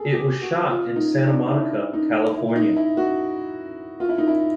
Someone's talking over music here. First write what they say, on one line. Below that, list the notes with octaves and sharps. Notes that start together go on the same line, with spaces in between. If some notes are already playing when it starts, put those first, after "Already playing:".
It was shot in Santa Monica, California.
Already playing: G#4 A4
G4
F#4
F4
D#4
D4
D#4
E4
D#4
E4
D#4
E4
F#4
F4
E4
D#4
E4